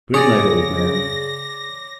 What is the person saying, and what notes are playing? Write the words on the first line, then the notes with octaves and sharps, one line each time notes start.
"Good-night, old man."
C#3 G#4 C#5 D5 A#6